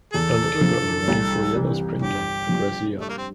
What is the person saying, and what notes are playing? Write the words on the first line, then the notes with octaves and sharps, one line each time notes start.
A little girl running through yellow sprinkler in a grassy yard.
E2 A4
D3 F3
C2
C3 E3 G3
G1 G4
G2 F3
G2 A3
A#3
C4